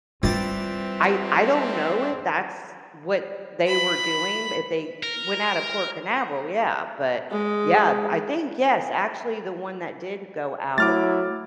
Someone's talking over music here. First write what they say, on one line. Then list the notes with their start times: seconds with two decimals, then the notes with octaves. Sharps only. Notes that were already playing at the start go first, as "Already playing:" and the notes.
I I don't know if that's what they were doing, if they went out of Port Canaveral, yeah, but yeah, I think, yes, actually, the one that did go out,
0.23 E3 G3 C4 F4 D5
3.67 B5
5.03 A#4
7.31 G#3
10.78 F#3 A3 E4 D6 F6 A6